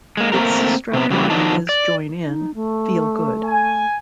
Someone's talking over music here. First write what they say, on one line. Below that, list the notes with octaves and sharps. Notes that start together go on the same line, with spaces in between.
Its strapline is Join in, feel good.
G#3 A#3
A3 A#3 C4 F#4 A#4
C3 B3
C#3 F#3 G3 A#3
D#3 F3 F#3 D4 D#4 A5
D5
D#4
A3
G#5